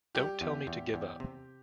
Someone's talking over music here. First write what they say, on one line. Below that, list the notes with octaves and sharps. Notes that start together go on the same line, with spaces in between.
Don't tell me to give up.
G3 G4
E2
E2
E2
C3